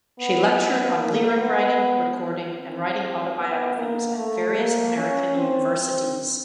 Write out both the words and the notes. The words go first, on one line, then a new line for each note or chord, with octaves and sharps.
She lectured on lyric writing, recording, and writing autobiographies at various American universities.
B3
B3
A#3
B3
C4
B3
A#3
A3
A#3
C#4
C4
C4